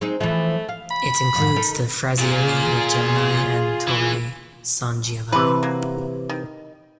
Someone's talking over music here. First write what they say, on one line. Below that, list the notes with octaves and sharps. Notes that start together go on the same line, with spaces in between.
It includes the "frazioni" of Gemini and Torre San Giovanni.
G#3 C4 D#4
E3 F3 A3
F5
B5
F2 G#2
D#4 A4 A#4
A#2 F4 G#4
E3
C3 E3 B4
F#3 A#3
D#3